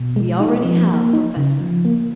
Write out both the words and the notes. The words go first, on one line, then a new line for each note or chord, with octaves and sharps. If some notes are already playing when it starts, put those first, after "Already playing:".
"We already have, professor."
Already playing: B2
G#3
D#4
F3
A#3
D#4
C#3
F3
A#3